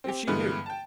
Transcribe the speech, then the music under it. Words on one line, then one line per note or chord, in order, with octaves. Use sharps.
If she knew!
C4 G4
G2 D3 E3 G#3 B3
G5 A5